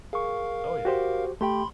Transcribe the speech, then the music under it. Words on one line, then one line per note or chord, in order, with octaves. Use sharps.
Oh, yeah.
G#4 A#4 F5 C#6
F#4 G4 C5
A3 G4 G5 B5 C6